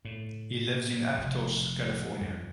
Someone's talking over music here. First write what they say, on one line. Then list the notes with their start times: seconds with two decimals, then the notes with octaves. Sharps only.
He lives in Aptos, California.
0.05 A2
1.18 F1
2.21 F2